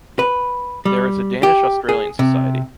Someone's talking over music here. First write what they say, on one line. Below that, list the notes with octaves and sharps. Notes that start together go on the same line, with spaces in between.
There is a Danish-Australian Society.
B4
G3
G4
G#4
C3